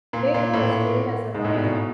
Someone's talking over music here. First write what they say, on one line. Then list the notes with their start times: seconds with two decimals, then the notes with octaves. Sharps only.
Baker was trained as a lawyer.
0.13 A#2
0.34 A#2
0.53 A2
1.35 G#2
1.44 A2
1.54 B2
1.65 B2